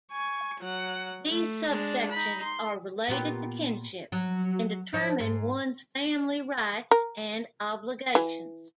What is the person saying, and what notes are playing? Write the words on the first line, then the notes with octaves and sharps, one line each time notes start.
These subsections are related to kinship, and determine one's family rights and obligations.
G#5 C#6
F#3 F#5
A3
G#3 D4
D#4 B5
C6
A#2 B3 G4
F#3
F3 C#4 D4
G#2
A#4
E3